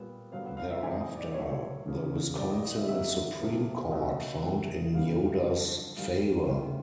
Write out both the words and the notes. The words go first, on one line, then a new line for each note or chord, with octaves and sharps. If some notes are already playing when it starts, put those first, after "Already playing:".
Thereafter the Wisconsin Supreme Court found in Yoder's favor.
Already playing: A#2 G3 B3
G2 D3 F#3 B3 F5
F#5
F5
E5
E2 C3 E3 A3 C4 G#5
D#5
D5
A#2 F#3 A3 C#5
E2 C#3 F3 A#3
D#2 D#3 G3 D5
D#5
D#5
E5
F2 D3 F#3 A#3 E5
F2 C3 F3 A#3
B2 F#3 A3 D#5
C#2 C3 E3 A3
E2 C#3 E3 G3 B3 F5
G2 D3 F3
G2 D#3 G3 F5
D2 C#3 E3 G3